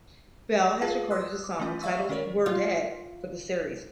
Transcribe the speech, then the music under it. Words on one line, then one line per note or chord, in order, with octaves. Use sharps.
Bell has recorded a song titled "We're Dead" for the series.
F4 G#4 B4 F5 A5
C6 D#6 E6 F#6
D6
E3 A3 C#4 F4
D5 E5 F5 C#6 E6
D#3 C#4 F#4 A#4 C#5 D5
F4